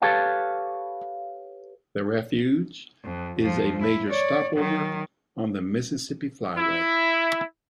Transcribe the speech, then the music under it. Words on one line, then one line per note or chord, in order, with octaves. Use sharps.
The refuge is a major stopover on the Mississippi Flyway.
G4 A4 B4 C#5 F5 A5
F2
F2 F3
E4
C#5 D5
D#3 F#3
E4